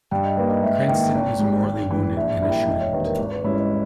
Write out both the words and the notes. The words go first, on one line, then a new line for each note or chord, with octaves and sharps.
Cranston is mortally wounded in a shootout.
G2 G5
D#5
G3 A#3 D#4 B4
D#5
G#2 E5
D#3 A#3 G5
G#1
G#2 G3
G#1
G#2 E3
A#1 E5
A#2 G3 A#3 E4 E5
G5
E5
E1 D#5
C#5
D#2 D#3 B4
A#4
G#1
B4
G#2 G3 C#4 E4 C#5
D#5